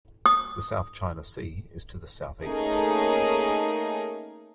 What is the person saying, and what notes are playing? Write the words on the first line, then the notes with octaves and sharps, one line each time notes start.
The South China Sea is to the southeast.
D#6
A3 A#3 C#4 D#4 G#4 A#4